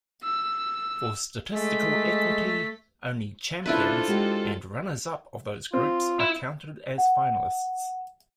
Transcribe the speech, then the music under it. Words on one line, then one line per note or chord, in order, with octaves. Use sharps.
For statistical equity, only champions and runners-up of those groups are counted as finalists.
E6
G#3 A3 B6
C#3 D4 E4 F4 A4 B4 C5 E5
G#3 F#4 G4
C4 F4
E4
F#5